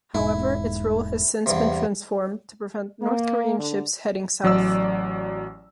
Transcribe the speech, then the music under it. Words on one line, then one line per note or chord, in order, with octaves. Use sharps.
However, its role has since been transformed to prevent North Korean ships heading south.
E1 G#2 E4
E2 G2 C3
A#3
D3
A1 F#3 D5 E6